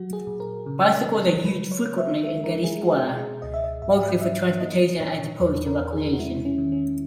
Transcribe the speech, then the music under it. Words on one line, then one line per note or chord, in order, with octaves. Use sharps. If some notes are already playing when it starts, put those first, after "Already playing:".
Bicycles are used frequently in Getty Square, mostly for transportation as opposed to recreation.
Already playing: F#3 F#4
G#4
A#2
A#4
C#3
C#3
F#3 B4
C#5
A#3
E5
G#3 E5
A#4
G#3 G#4
F#4
B2 G#4
C#2 D#5
E5
D#5
G#2 E5
F#3 E5
A#3 D#5
A#2 C#5
E2 B4
A#4
E2
G#4
F#4
G#3 E4
C#4
D#3
C#4